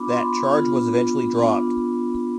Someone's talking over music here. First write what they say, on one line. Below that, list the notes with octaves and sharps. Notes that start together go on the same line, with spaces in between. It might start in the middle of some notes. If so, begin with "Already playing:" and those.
That charge was eventually dropped.
Already playing: B3 D4 F4 B5 D6
C6
B5
B3 D4 F4
B3 D4 F4